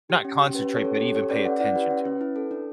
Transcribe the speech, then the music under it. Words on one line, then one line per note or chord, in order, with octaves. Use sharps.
Not concentrate, but even pay attention to it?
G4
C#4
G4
C#4 B4
G4
A4 C#5
C#4
A4 C#5
G4
G4 A4 C#5
C#4 B4 D5
C#4 D5 F#5
E4 D5 F#5
G4 B4
C#4
C#4
E4
A4
D4